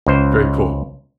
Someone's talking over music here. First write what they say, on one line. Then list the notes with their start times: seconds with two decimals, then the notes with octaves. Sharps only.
very cool.
0.07 C#2 C5